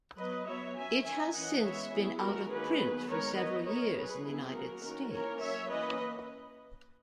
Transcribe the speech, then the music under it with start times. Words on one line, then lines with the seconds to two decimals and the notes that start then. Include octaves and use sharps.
It has since been out of print for several years in the United States.
0.18 F#3 B3 B4 D#5
0.47 F#3 B3 C#5 E5
0.76 F#3 C#4 E5 G#5
1.05 D#3 A#3 C#4 E5 G#5
1.34 E3 A#3 C#4 D#5 F#5
1.63 E3 G#3 B3 C#5 E5
1.92 F#3 B3 E4 G#4
2.21 E3 G#3 C#4 F#4 A#4
2.50 D#3 A#3 C#4 G#4 B4
2.79 D#3 F#3 B3
3.08 D#3 G#3 B3 A#4 C#5
3.37 F#3 B3 B4 D#5
3.67 E3 B3 A#4 C#5
3.96 F#3 C#4 G#4 B4
4.25 D#3 F#3 B3 E4 G#4
4.54 F#3 A#3 C#4 F#4 A#4
4.83 D#3 A#3 C#4
5.12 E3 A#3 C#4 A#4 C#5
5.41 F#3 C#4 C#5 E5
5.70 E3 A#3 C#4 B4 D#5